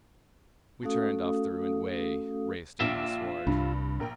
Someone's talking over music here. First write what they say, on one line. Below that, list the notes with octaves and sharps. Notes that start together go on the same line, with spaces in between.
We turned off the ruined way; raced over the sward.
A3 C#4 F#4 A4 F5 D#6
A#1 D4 F4 E5 D7
C2 G2 D4
A#1 A#4 G5